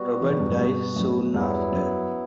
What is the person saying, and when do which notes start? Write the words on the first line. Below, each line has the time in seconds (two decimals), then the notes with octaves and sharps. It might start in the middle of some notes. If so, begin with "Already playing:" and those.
Robert dies soon after.
Already playing: G3 B3 F#4
0.21 C3 E3
0.30 B2 D3
0.40 E2 G2
0.49 F#2 A2
0.59 G2 B2
0.96 F#2 A2
1.34 E2 G2 F#3 B3 E4
1.72 F#2